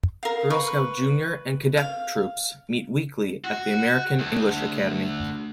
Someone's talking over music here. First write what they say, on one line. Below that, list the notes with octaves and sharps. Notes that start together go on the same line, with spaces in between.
Girl Scout Junior and Cadette Troops meet weekly at the American English Academy.
A#4 F5
B4 C#6
F5
F#4
D2